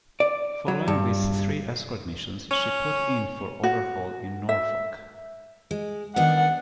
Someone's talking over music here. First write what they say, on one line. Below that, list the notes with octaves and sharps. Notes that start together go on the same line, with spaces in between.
Following these three escort missions, she put in for overhaul in Norfolk.
D5
F#3
G2
C#4
F#4
E5
G#3
D#3 B3 D4 F#5